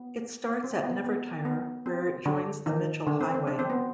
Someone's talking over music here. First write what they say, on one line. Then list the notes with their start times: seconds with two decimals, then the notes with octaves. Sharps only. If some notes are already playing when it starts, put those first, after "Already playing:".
It starts at Nevertire where it joins the Mitchell Highway.
Already playing: B3
0.64 C4
0.84 B3
1.05 B3
1.45 B3
1.86 C4
2.26 D3 D4
2.66 D#3 D#4
3.07 D3 D4
3.21 C4
3.34 C4
3.47 D4
3.59 C4
3.70 B3